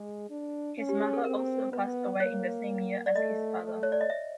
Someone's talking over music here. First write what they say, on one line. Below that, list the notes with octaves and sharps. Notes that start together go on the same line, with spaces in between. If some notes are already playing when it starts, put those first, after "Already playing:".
His mother also passed away in the same year as his father.
Already playing: G#3 G#4
D4
C#4
G4
G#4
A4
C4 A#4
B3 B4
A#3 C#5
D5
A3 D#5
A3
C#5
D5
D#5
E5